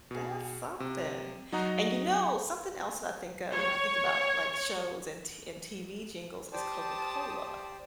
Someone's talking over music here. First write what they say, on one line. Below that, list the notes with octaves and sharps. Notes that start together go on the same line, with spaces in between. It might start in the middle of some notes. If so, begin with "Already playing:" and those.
That's something, and, you know, something else that I think of when I think about, like, shows and T and TV jingles, is Coca-Cola
B2 G#4
C3
F#3 D#4 F#4 D#5 A#5 F#6
C#5
G4 C5 D5 A5 D#6